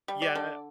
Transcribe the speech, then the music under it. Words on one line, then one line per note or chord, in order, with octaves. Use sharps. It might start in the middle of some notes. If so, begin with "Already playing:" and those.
yeah, and, I
G3
D5
D3